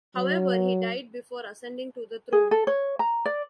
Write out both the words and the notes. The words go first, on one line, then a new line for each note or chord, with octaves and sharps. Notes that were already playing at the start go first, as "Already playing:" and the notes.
However, he died before ascending to the throne.
F#3
G#4
A4
C#5
A#5
D5